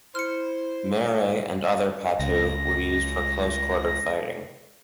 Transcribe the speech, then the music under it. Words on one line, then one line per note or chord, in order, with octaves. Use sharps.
Mere, and other patu, were used for close-quarter fighting.
E4 C5 F6 C#7
C#2 A#6